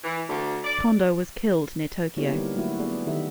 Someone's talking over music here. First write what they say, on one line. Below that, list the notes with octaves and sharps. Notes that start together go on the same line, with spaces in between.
Kondo was killed near Tokyo.
E3
D2
D5
D3 A#3 B3 E4 G4 C#5
G3 D4 D#4 A#4
F#3 A3 A#3 D4 E4 F#4
B3 G#4 D5
D#3 D#4 G4 A4 E5